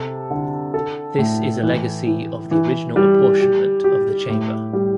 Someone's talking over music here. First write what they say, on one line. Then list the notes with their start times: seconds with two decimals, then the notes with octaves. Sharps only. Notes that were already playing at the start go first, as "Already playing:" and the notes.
This is a legacy of the original apportionment of the chamber.
Already playing: C3 A4
0.31 D3
0.74 A4
1.18 A2
1.63 E3
2.07 E3
2.51 E3
2.96 G3
3.41 G4
3.84 G4
4.29 A2
4.73 G3